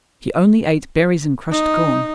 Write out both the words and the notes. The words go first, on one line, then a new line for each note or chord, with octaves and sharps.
She only ate berries and crushed corn.
D#4